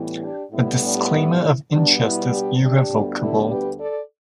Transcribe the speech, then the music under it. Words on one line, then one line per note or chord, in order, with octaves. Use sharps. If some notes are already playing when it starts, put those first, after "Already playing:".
A disclaimer of interest is irrevocable.
Already playing: A2 E3 G3 B3
D4 G4
A2 G3 B3 E4
D4 G4
E4
B2 G3 B3 D4
E4
D4 G4
D4 G4
D2 D3 G3 B3
E4 A4
G4 B4
A4 D5